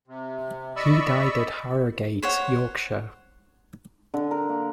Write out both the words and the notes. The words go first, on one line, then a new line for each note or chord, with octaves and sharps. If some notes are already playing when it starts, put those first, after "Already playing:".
He died at Harrogate, Yorkshire.
C3
D5 D#5 B5 C#6 E6
C5 C#5 F#5
D3
A#4
A#3